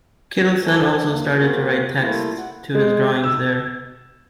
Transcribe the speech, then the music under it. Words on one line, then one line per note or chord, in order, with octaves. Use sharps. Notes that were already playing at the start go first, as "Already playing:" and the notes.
Kittelsen also started to write texts to his drawings there.
A4 A#4 C5 E5 G#5 A5
D#2 A#3
A#3 C4 F4 F#4 G#4 A#4
G3 A3 A#3 E4 F4
F#5
G#3
E6